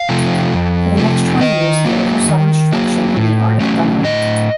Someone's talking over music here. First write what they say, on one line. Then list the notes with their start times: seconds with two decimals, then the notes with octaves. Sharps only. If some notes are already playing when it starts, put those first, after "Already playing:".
For the next twenty years he oversaw instruction in the art of gunnery.
Already playing: F5
0.09 C3 F3 A3
0.53 F2
0.97 C3 F3 A3
1.41 D#3 D#5
1.85 F#3 A#3
2.29 D#3
2.72 F#3 A#3
3.16 A2
3.60 F#3 A3 C#4
4.04 A2 D#5